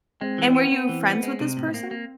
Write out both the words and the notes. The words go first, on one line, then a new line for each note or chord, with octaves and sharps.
And were you friends with this person?
G#3 C4
E3
C4
B3
B3
E3
B3
G#3
C3
A2
A#3
A#3